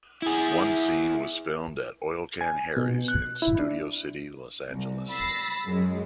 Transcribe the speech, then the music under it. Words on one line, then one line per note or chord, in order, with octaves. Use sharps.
One scene was filmed at Oil Can Harry's in Studio City, Los Angeles.
E4 G#4
G#5
B2
F#6
E4
D4
C2
B5 E6 A6 A#6 C7
F#2 G#3